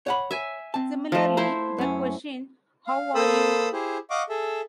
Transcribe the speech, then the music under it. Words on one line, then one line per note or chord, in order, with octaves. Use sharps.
Similarly, the question how are you?
C#5 F#5 B5
E5 G#5
C4 A5
F3 A3
E4 C5 A#5 C6
F#2 C#4
F5
A#3 A4 C5 B5 D#6 E6
E4 G4 G#4 C5
D#5 F5 F#5 C#6 D6
G#4 A4 E5